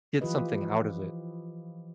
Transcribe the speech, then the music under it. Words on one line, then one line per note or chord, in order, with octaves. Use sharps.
get something out of it,
E3 F3 F4 G4 B4 D#5